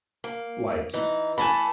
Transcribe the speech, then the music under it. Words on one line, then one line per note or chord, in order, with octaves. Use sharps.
like y
A#3
E3 D#4
E3 A3 A4 G#5 A5 B5